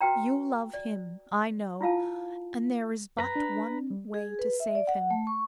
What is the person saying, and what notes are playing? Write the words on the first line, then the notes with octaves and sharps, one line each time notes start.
You love him, I know, and there is but one way to save him.
F#4 B4 G5 A#5
D5
E4 F4 F5 A5
F#2 B4 A#5
D4
G3
G#4
B4
E5
D5
F#5
A3
C#6